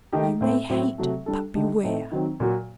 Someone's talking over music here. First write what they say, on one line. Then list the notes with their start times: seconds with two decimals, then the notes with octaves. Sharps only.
You may hate, but beware!
0.12 D#3 A3 D#4 G4
0.41 A2 A3 C4
0.69 A2 F#3 C4
0.98 C3 F#3 A3
1.26 G3 D4 A4
1.55 D3 A3 D#4 G4
1.83 A2 A3 C4 D#4
2.12 D#3 F#3 C4
2.40 A#2 F#3 A#3 F#4